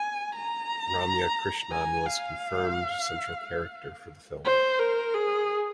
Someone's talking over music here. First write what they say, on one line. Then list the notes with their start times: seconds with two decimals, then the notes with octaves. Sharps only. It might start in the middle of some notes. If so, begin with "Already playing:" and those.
Ramya Krishnan was confirmed central character for the film.
Already playing: G#5
0.35 A#5
1.72 G#5
2.06 F5
4.45 C5
4.80 A#4
5.14 G#4